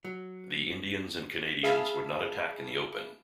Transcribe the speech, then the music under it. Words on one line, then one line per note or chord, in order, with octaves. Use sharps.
The Indians and Canadians would not attack in the open.
F#3
G#4 E5 F5 A5 B5